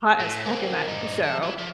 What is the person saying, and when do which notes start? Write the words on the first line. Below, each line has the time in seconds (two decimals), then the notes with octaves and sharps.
hot as heck in that show,
0.20 A2
0.46 A#3 C4
0.87 G2 D#4
1.23 F3 A5
1.43 F4 E5
1.58 F3